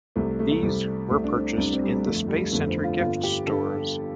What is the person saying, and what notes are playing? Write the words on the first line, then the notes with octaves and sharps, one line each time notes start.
These were purchased in the Space Center gift stores.
C2 C3 A3
A3
A3
C2 C3 G3
C2 C3 A3
D4
C4
C2 C3 D4
C4
G3
A3
G1 F2 D3 A3
G3
G1 F2 D3 A3
C4
F4
G1 G2 D3 F4
G4
D3 A4